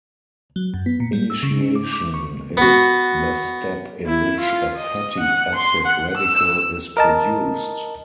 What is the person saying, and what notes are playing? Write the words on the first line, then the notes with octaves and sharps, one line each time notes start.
Initiation is the step in which a fatty acid radical is produced.
F#3
F#2
B3
A#2
G3
E6
C#3
C#4
D6
D6
C#6
B3 F#4
E4
F4
D#5
F#5
C6
F#5
E6
A#4 D#5 A5